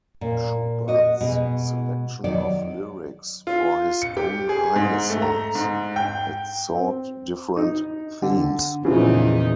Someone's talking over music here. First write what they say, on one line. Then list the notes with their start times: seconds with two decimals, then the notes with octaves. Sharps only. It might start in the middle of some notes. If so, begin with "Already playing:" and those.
Schubert's selection of lyrics for his own Heine songs had sought different themes.
0.21 A#2
0.88 F#4 D#5
1.20 B2 G#3
2.24 D#3 F#3 D5
3.47 F4
4.02 C#7
4.17 G4
4.49 G#4
4.76 G#2
5.10 A3
5.22 A#5
5.55 G#2
5.96 G5
6.74 C4
7.57 D#4
8.22 D3
8.85 E2 A#2 C#3 E3 F3 D#4